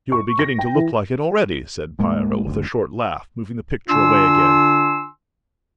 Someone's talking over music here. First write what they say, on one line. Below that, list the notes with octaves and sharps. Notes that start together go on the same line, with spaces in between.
"You are beginning to look like it already," said Piero, with a short laugh, moving the picture away again.
C#6
A#6
G5
E3
A2 G#3 A#3
F#1 D2
D3 D4 F4 G#5 C6 E6